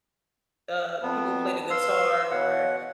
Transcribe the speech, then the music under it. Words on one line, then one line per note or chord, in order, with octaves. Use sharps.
uh, people play the guitar or
F2 B3 A5
B4 F5 C6 E6
B2 C#5 F5 F#5